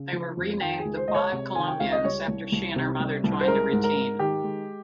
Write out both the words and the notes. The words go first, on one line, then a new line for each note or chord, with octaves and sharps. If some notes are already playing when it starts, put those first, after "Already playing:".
They were renamed the "Five Columbians" after she and her mother joined the routine.
Already playing: C#3
F3
F2
D#3 G5
G#4
C#2
C5
G#3 D#5
C#5
C3
D#3 G#5
G5
C#2 F5
D#5
G3 C#5
C2
C2
C3
G3
C2
C5
G#3 A#4
G#2
A#4
G#2
D#3 G4
G#3